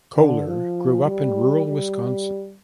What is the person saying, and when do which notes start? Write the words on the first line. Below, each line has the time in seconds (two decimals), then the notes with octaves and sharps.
Koehler grew up in rural Wisconsin.
0.17 D3
0.47 F3
1.06 G3
1.66 G3